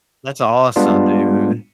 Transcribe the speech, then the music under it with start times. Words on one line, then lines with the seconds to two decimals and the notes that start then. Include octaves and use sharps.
That's awesome, dude.
0.76 G3 G#3 B3 D4 F4